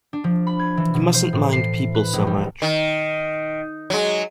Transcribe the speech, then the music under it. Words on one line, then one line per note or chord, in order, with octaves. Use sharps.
You mustn’t mind people so much.
D4
F3
B5
G#6
E3
B2
C5
A2
C7
B4
A#1
G3
D#3
F#3 G#3